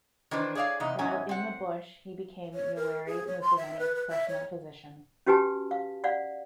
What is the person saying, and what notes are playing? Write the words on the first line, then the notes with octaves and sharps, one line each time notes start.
While in the bush, he became Yoweri Museveni's personal physician.
D#3 E3 D4 B4 C5
G#4 C#5 D5 E5 F5
E2 C3 D#4
E2 G#2 C#4 G#5
C4 F#5
C#5
A#4
G#4
C#5
C6
E5
B4
B4
E5
C#5
C#4 F#4 G4 B4 G#5 A5
F5
D5 F5 F#5